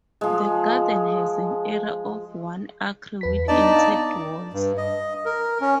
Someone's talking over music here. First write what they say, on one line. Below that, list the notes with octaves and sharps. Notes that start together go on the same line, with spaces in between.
The garden has an area of one acre with intact walls.
F3 G#3
E2 B4 B6
B3 D4 D#4 D5 D#5 A5
F5
G2
D#5
A#4
C#4